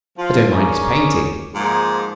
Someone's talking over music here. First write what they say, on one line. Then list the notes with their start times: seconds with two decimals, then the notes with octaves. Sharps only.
I don't mind his painting.
0.18 F3 F5 C6
0.51 C#4 D#4 G#4 A#4 C#5 D5
1.55 G#2 F3 A#3